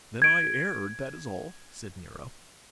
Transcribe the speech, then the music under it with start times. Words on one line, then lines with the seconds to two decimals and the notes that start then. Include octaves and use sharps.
"Then I erred, that is all," said Nero.
0.22 G#6 D7